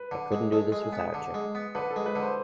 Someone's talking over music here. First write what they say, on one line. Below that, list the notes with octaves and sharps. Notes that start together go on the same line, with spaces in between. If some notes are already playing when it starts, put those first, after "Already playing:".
I couldn't do this without you.
Already playing: B4
D3
G#3
G#3 A4
G#3
G#4
B3
D3
G#3
B3
D3 B4
A4
G#3
B4
D3
C5